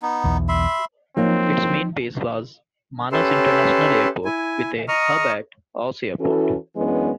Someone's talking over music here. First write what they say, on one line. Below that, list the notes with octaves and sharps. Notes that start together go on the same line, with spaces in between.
Its main base was Manas International Airport, with a hub at Osh Airport.
B3 D#4
B1 E2
E5 B5 C6
F3 F#3 A#3 C4 D#4
C#4 G4 A4 B4 E5 C6
E4 G#5
D#5 A#5 C#6 D#6 F6
E3 C#4 E4 F#4 A4
F#2 E3 G#3 B3 C#4 D4